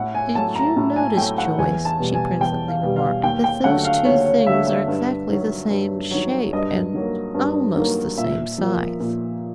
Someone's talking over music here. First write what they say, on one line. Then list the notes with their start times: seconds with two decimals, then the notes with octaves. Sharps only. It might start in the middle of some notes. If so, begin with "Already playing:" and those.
"Did you notice, Joyce," she presently remarked, "that those two things are exactly the same shape, and almost the same size?"
Already playing: A2 F#5
0.15 G#5
0.35 F#3 A3 A5
0.55 A#5
0.77 A2
0.96 G#5
1.17 F#3 A3 G5
1.38 F#5
1.59 E2 G#5
1.85 A5
1.99 B2 G3
2.14 G#5
2.41 E2 G5
2.68 F5
2.82 B2 G3
2.96 F5
3.23 D#2 G5
3.44 G5
3.64 D3 F#3 A3 F#5
3.85 F5
4.05 D#2 C#5
4.26 C#5
4.47 D3 F#3 A3 E5
4.67 E5
4.87 G2
5.29 D#3 F#3
5.70 G2
6.11 D#3 F#3
6.53 G2 D#5
6.94 D#3 F#3 A#3
7.34 G2
7.76 D#3 F#3 A#3
8.17 A#2 E5
8.58 F3 A#3
9.00 A#2